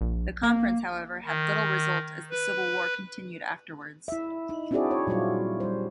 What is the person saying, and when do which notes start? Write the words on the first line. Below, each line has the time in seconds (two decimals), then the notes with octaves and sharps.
The conference, however, had little result as the civil war continued afterwards.
0.01 A#1
0.43 A#3
1.25 D#3
2.31 B4
4.08 E4 E5
4.49 D#4
4.71 C4 D4 E4 F#4 G#4 D5
4.91 C#5
5.07 A#2 F#3 G3 E4 F4
5.60 G3 C5